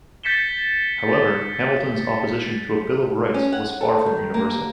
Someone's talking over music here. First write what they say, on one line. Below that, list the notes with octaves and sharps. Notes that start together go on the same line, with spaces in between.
However, Hamilton's opposition to a Bill of Rights was far from universal.
G6 A6 B6 C#7 E7 G7
C#4
F#5
A4
D#3
A#3